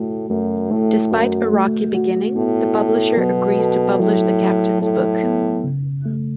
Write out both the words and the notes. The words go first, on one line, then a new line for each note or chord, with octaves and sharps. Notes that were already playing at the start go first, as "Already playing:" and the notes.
Despite a rocky beginning, the publisher agrees to publish the Captain's book.
Already playing: A2 A3 F#4
F#2 A3
A2 A3
F#2 F#4
A3
F#4
A2 B3
A4
B2 F#3
A4
A2 F#3
F#3
A2 A4
B3
C#3
A3